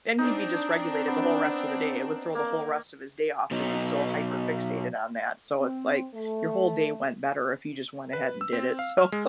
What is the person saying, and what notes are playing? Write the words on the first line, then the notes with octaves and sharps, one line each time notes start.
Then he'd be dysregulated the whole rest of the day. It would throw the whole rest of his day off because he's so hyper fixated on that, so it's like, your whole day went better if you just went ahead and did it, so,
C4 D4 D#4
B3
A#3
B2 F#3 D#4
C4
A3
B4
E6
C4
F5
F6
G#3